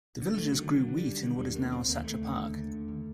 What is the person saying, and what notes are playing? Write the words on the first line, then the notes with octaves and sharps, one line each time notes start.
The villagers grew wheat in what is now Sacher Park.
D3
D3 A3
F#3
D3 D#3
D3 F#3
D3
G3
D3
D3 D#3
D#2 G3
D3 A#3
D3 C4
D#2 A#3
D#2 A3
D3
D#2
D3
D#2
D#2